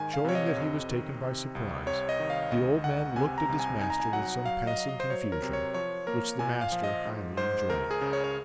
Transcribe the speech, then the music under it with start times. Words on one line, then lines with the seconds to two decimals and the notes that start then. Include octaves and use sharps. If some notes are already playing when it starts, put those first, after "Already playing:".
Showing that he was taken by surprise, the old man looked at his master with some passing confusion, which the master highly enjoyed.
Already playing: G#2 D#3 G#5
0.14 F5
0.25 C3 C#5
0.35 D#5
0.57 F2
0.89 D#3
1.22 C3
1.55 C2
1.86 C3 C#5
2.09 D#5
2.19 D#3
2.30 F5
2.51 C#2 D#5
2.84 C#2 F#5
3.16 C3 G#5
3.38 A#5
3.49 C2
3.60 G#5
3.81 D#4 G#5
3.90 A#5
4.00 G#5
4.13 F#3 F#5
4.45 F#3 F5
4.67 D#5
4.77 F#3
4.89 D#5
5.00 C5
5.10 F#3 C#5
5.32 A#4
5.42 C3
5.53 C#5
5.74 F3 C#5
6.07 A#3 A#4
6.39 A#2 G#5
6.61 F5
6.72 F3
6.84 D#5
7.05 G#2
7.37 G#2 C5
7.69 C#2 A#4
7.91 G#4
8.01 C#3
8.13 C#5
8.24 C#5